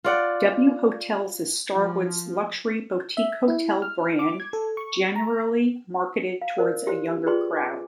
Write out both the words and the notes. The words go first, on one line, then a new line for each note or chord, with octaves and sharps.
W Hotels is Starwood's luxury boutique hotel brand, generally marketed towards a younger crowd.
F4 D5 F#5
F3
E5
E4
F6
D6
G#6
A4
C#6
A#5
F5
A#4 C5 D5
G4 C5
F4 G#4 B4 D5 G5 C6
G#5 D6